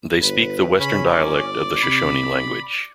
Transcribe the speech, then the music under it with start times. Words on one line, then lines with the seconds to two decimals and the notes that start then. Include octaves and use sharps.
They speak the Western dialect of the Shoshone language.
0.20 G1 B4
0.79 C#3 C#4 B5
1.10 G1 D5
1.83 C3 B5